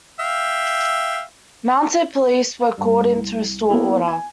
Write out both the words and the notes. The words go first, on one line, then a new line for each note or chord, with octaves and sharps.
Mounted police were called in to restore order.
E5 F5 G5
G2
C2
A#3 B3 E4
G#5